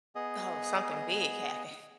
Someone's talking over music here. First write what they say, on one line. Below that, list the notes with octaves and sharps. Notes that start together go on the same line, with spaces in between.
Oh, something big happened,
B3 G#4 D#5